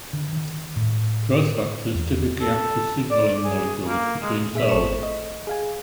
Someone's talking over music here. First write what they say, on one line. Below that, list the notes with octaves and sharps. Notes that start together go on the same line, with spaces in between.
Growth factors typically act as signaling molecules between cells.
D3
D#3
A2
E2
A4
D5
G#4
A#3
G#3
A#2 G#4 E5 B6
G#1 A3 A4 C5 C#6 E7
D#5
G#4 F5 G#5